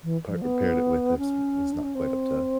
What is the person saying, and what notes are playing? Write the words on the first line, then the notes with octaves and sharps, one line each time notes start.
pa uh, paired it with is is not quite up to
E3
F3
B3
C#4
D4
C#4
C4